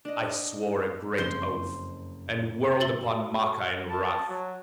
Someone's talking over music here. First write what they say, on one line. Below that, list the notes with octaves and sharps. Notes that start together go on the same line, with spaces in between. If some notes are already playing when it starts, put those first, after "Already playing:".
I swore a great oath and whirled upon Maka in wrath.
D4 D#5
F#1 F2 C5 C6 G6
F#4 E5 A6 F#7 G7
A5
F#3